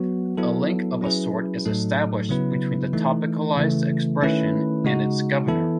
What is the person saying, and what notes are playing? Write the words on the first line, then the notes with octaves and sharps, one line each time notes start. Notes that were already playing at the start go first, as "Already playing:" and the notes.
A link of a sort is established between the topicalized expression and its governor.
Already playing: F#3 B3 F#4
F#3 B3 E4 A4
F#3 C#4 E4 G#4 B4
A2 F#3 A3 D#4 A4
C#3 F#3 B3 E4 B4
E3 A3 D#4
C#3 E3 A3
D#3 A3 C#4 E4 B4
C#3 G#3 D#4 F#4
E3 B3 E4 A4